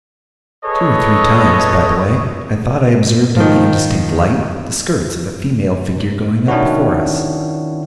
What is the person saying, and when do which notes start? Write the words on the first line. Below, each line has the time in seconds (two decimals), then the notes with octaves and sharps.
Two or three times, by the way, I thought I observed in the indistinct light the skirts of a female figure going up before us.
0.65 G#4 A4 B4 C#5 D#5
3.36 D#3 F3
6.48 D#3 C#4 D4 E4 F#4